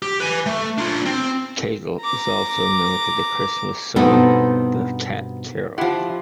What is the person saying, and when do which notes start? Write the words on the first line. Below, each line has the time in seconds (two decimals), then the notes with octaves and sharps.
Cadell is also known for the Christmas song "The Cat Carol".
0.02 G4
0.20 B4 G#5
0.46 A3
0.78 D4 F4
1.05 C4
2.01 A#5 D6
3.96 G2 B2 B3 C4 D#4 A4
5.78 F3 E4 G4 F#5 C6